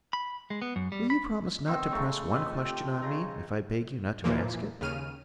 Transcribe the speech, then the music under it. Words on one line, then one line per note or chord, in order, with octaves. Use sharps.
"Will you promise not to press one question on me, if I beg you not to ask it?"
B5
G#3
B3
F#2
G3
B5
D#3 B3 C4
C#3 A3 A#5 C#6
C4 D#4 F4 B4
A4
G4
C#3 D#4 A#5
A#2 E3 F3 A#3
D#2 C#3 F6 D#7